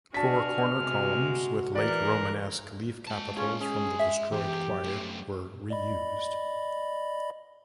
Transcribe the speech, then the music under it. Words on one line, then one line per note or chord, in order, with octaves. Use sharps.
Four corner columns with late Romanesque leaf capitals from the destroyed choir were reused.
D4 F#4 G#4 A5 F6 B6
C3 G#3 F#4
E3 A#4 D5 F#6
G#3 A5
C#4 F4 G#4
C#4 G#4
E5
E2 G4
F#2 A3
D5 D#5 B5